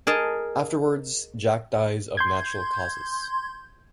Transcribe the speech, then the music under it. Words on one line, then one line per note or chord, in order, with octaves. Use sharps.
Afterwards, Jack dies of natural causes.
G#4 A#4 D#5 A5
C6 G6 G#6